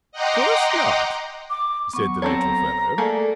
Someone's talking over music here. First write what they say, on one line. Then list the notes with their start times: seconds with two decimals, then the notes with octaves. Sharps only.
"Course not!" said the little fellow.
0.12 D#5 F#5 G5 A#5 C6 D6
1.50 D6
1.93 F#3 B3 C#6
2.22 C4 A4 C#5 A#5
2.98 A3 A#3 G#4 A4 D5